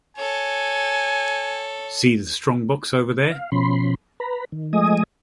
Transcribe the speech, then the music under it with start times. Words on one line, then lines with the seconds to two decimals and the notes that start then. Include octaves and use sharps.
See the strong-box over there?
0.17 A4 C#5 G#5
3.31 F5
3.52 B2 F3 C#4 B5 C6
4.20 B4 A#5 B5
4.52 D#3
4.73 F3 G#3 A3 D#5 G#5 D#6